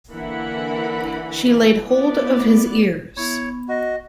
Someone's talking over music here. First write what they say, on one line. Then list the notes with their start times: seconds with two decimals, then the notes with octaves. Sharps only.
She laid hold of his ears.
0.12 D3 E3 A#3 E4 F#5 B5
1.51 E3
1.88 B3 E4 D5
3.17 B3 E4 C#5
3.68 F#4 D#5